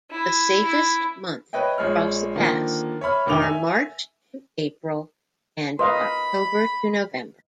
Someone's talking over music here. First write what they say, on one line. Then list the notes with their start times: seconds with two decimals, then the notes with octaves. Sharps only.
The safest months to cross the pass are March-April and October-November.
0.11 E4
0.65 E4
1.53 B4 C#5 D#5 E5 G5
1.78 A#1 G#3 C#5 F6
2.36 D3 D#3 F3 A#3
3.01 C#5 E5 B5 F6
3.26 F1 D3 D#3 D6 F7 G7
3.42 E5 G#5 E6
5.79 B4 D#5 F5 B5 C6